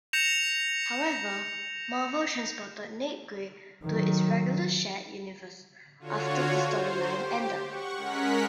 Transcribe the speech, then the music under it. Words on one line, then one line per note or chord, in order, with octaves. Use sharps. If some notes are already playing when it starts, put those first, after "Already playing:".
However, Marvel transported Nate Grey to its regular shared universe after the storyline ended.
G6 A#6 C#7 E7 F7
D#3 F#3
D3 F4 F#4 C#5
C5
G4
F#5 C#6
G#3 C#4 A#4 F#5 B6